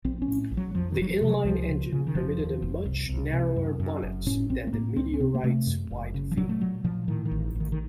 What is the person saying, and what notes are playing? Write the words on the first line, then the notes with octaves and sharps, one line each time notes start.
The inline engine permitted a much narrower bonnet than the Meteorite's wide vee.
A#1 C4
C#4
A2
A#1
F#3
F2 F3
D#3
F1 F#3
F3
C3
F#3
C#2 F3
C#3
C#3
D#3
F1 F3
D#2
F1
C2
C2
C3
F#2
F#2
F#1
A2 C#4
A#1 C4
A3
A2 A#3
C#2 C4
C#4
C3 C4
A#3
C3 A3
F#2
F#1
C#3
F3
A#2 F#3
A3
A#2 F#3
A#2 F3
A2 D#3
D#3
A1
A1
D#3
D#3